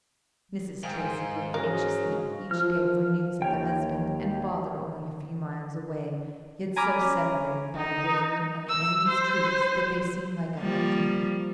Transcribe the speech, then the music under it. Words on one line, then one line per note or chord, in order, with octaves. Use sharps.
Mrs. Tracy looked anxiously each day for news of the husband and father only a few miles away, yet so separated by the river and the enemy's troops that they seemed like a hundred.
G#2 G#4 A#4 F5 G5
G#5 C6
C#4 F#4 G#4 A#4 D#5 F5
F3 F6
D#2 C#5 G5
G#5 A#5 B5 D6 F6
C#4
D#4
E6
C5
F3 G3 A#3